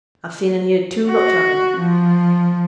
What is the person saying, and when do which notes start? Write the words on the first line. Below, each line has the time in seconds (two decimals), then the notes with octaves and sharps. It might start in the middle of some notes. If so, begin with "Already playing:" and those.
'I've seen and heerd too much on him.'
1.07 F#4
1.77 F3